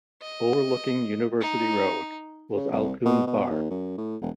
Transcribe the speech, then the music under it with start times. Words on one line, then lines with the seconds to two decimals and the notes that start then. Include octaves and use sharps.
Overlooking University Road was Alcuin's bar.
0.22 D#5
1.41 D#4
2.56 C#3
2.72 C2
3.06 B2
3.27 B2
3.50 D#2
3.71 F#2
3.98 A2
4.21 E1